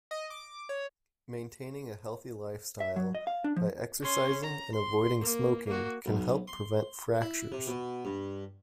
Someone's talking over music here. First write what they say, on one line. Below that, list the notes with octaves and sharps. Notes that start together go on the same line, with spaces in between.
Maintaining a healthy lifestyle by exercising and avoiding smoking can help prevent fractures.
D#5
D6
C#5
E5
F#3
D#5
F5
D4
F3
C#4 C6
A#5
C6
A#3
A#3 F#4
B1
C6
E4
C3
B2
G2